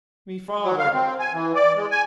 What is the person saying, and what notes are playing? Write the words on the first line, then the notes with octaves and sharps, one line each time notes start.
Me father!
F#3
F5
C4
G#5
E3
D5
G#3
G#5